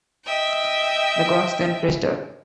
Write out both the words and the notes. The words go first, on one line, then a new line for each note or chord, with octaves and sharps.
The gods then praised her.
D#5 E5 G5